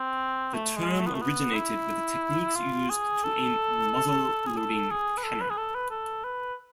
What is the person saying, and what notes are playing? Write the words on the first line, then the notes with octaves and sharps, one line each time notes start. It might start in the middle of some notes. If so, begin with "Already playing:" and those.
The term originated with the techniques used to aim muzzle-loading cannon.
Already playing: C4
A3
G#3
A3
B3
A3
B3
E4
F4
G#4
A4
G#4
A4
G#4
B4
A4
B4
G#4
A4
B4
A4
B4